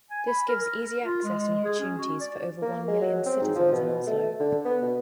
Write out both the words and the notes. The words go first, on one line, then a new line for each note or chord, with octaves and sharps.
This gives easy access and opportunities for over one million citizens in Oslo.
G#5
B5
A#4
A#4
A#4
F4
G#3
G#4
C#4
F#4
D5
A#3
G#3
F#3
C4
G#2
F3
B2
B2
A3
D3
B3
B2